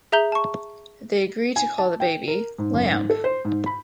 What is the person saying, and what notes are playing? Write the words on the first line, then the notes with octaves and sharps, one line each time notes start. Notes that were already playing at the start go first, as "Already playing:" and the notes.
They agree to call the baby "Lamp".
G#4 E5 A#5 G6 G7
A5 C#6
G#5
A5
G5
A#4
G#2
F#1
G#2
A4
C5
G#2
B5